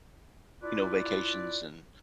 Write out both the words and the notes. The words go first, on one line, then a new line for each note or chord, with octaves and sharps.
you know, vacations, and
D4 E4 F4 B4 D5